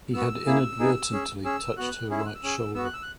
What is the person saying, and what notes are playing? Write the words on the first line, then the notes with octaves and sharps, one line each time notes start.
He had inadvertently touched her right shoulder.
B3 F#4 E6
A#3 E4 G#4
B3 D#4 G#4
C#4 G#4
C#4 G#4 E6
B3 F#4 F#6
C#4 E4 G#4
E6
F#6
E6
C#4 G#4
B3 F#4 E6
F#6
E6
F#6